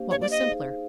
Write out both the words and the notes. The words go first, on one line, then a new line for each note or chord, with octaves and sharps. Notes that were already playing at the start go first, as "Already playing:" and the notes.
What was simpler?
Already playing: A#3 D4 G4 C5 F5
C#5
D5
D#5
D#4 G#4 C5 F5